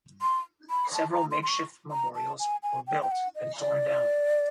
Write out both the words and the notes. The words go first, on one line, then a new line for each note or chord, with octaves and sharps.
Several makeshift memorials were built and torn down.
C6
B5
A5
A#5
C6
C6
C#6
A#5
A5
G#5
G#5
G5
G5
F#5
D#5
D5